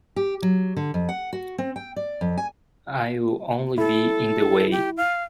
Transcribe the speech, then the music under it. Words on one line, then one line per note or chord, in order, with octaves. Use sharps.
I'll only be in the way.
G4
F#3
D3
F2
F#5
F#4
C4
G5
D5
F2
G#5
E4 A4
G4
F5